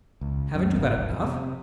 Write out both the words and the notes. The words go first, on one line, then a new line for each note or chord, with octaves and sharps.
"Haven't you got enough?"
C#2
F#2
G#1
D#1
F2
C3